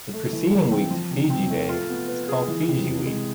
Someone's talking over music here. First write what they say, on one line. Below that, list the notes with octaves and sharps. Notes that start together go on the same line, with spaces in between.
The preceding week to Fiji Day is called Fiji Week.
A3
E3
E3
C4
F3
C3
C4
A3
F4
B3
B4
G#4
E3
C3
C3
G#3